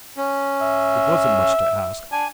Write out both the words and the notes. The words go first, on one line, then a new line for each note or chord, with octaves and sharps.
It wasn't much to ask.
C#4
E5
D4 G#5